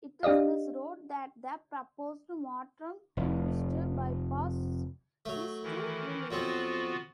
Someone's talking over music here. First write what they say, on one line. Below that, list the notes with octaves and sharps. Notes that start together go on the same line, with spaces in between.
It is this road that the proposed Mottram-Tintwistle Bypass is to relieve.
D4 G4 D5 D#5 F5
F1 F2
F#3 A3
D#3 E3 E4
F2 F#3 B3 C4 F4 F#4